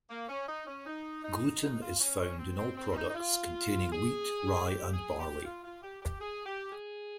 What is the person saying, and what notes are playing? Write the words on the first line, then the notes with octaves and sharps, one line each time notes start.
Gluten is found in all products containing wheat, rye, and barley.
A#3
C#4
D#4
C#4
D#4
D#4
D#4
F4
C#4
C#4
C4
C4
C4
C#4
D#4
D#4
F4
G#4
G4
G#4
G4
F4
F4
G4
G4
G#4
G4
G#4